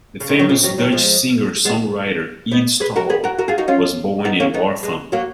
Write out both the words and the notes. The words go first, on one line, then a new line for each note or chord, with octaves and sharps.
The famous Dutch singer-songwriter Ede Staal was born in Warffum.
C#3
D#3
D#3 F#3
C#3 F3
D#3 F#3
D#3 F#3
F3 G#3
G#3 B3
B3 D#4
G#4 B4
F#4 A#4
G#4 B4
F#4 A#4
F#4 A#4
F4 G#4
D#4 F#4
C#4 F4
B3 D#4
A#3 C#4
B3 D#4
G#3 B3
F#3 A#3